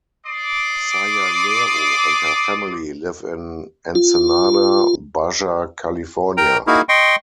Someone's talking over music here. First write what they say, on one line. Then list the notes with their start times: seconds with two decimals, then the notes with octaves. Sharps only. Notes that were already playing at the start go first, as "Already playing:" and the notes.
Sayalero and her family live in Ensenada, Baja California.
0.26 D5 C6 D6 D#6
3.95 F4
6.37 A#4 G5 A#5
6.67 A#3 D#4 E4 F#4 G#4 A#4
6.89 D#5 G5 C6 C#6